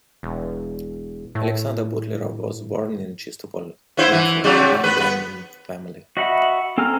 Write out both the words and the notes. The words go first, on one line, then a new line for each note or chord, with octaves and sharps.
Alexander Butlerov was born in Chistopol into a landowning family.
E1
A2
B3 E4 C5
E3
C3 F#3 G3
B3 B4
B3 B4
F#4 D#5 E5 F#5 B5
C4 A4 G#5 A#5 F6